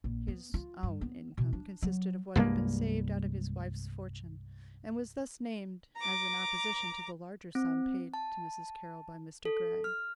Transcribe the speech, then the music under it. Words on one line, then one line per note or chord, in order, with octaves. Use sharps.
His "own" income consisted of what had been saved out of his wife's fortune, and was thus named as in opposition to the larger sum paid to Mrs. Carroll by Mr. Grey.
A#1
B3
F4
G2
B3
B2
D4
F#3
C2 G2 G#3 A#3
A#5 D6
C4
A5
A4
F6